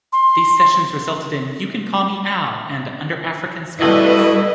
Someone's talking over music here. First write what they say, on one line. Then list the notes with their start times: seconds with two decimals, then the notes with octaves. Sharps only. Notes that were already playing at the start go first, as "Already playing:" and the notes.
These sessions resulted in "You Can Call Me Al" and "Under African Skies".
0.13 C6
3.80 B2 G3 A3 E4 B4 D#5